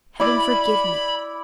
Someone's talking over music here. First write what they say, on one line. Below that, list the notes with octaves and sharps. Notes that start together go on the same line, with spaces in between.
Heaven forgive me!'
E4 D5 B5